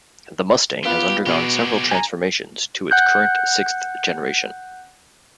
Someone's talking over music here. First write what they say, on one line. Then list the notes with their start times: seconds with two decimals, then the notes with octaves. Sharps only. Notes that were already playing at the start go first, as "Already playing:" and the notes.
The Mustang has undergone several transformations to its current sixth generation.
0.85 B3 F4 G4 B4
1.26 B2 G#3 G4
1.91 G#5 A#5
2.91 F#5 F#6 G6